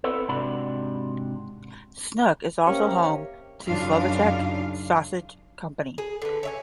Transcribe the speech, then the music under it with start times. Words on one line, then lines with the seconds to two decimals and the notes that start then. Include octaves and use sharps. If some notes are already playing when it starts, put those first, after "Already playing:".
Snook is also home to Slovacek Sausage Company.
0.04 B3 C4 E4 A4 B4
0.29 G#2 C3 D4 F#4 B5
2.66 C3 A#3 C#4 G4
3.67 F#2 C#3 D4 D#4 F4 F5
5.98 G#4
6.22 D3 B4
6.43 C#5 E5 G#5